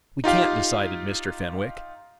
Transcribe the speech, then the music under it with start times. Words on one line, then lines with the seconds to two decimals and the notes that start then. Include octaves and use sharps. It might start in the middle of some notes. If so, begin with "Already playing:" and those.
"We can't," decided Mr. Fenwick.
0.24 D#4 F4 G4 F5